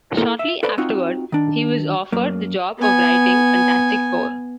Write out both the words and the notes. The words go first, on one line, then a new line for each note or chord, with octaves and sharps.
Shortly afterward, he was offered the job of writing "Fantastic Four".
A#3 E4 A4 A#4
E5
A4 B4 C5 D5 F5 B5
C4 D#4 F4 F#4
D#3 D4
F#2 A#3
B3 G#5